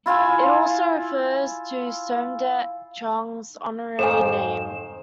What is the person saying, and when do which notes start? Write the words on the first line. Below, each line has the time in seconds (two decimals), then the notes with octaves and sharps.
It also refers to Somdet Chuang's honorary name.
0.06 E4 F4 E5 G#5
3.99 F2 G#2 D#3 A4 C5 G#5 E7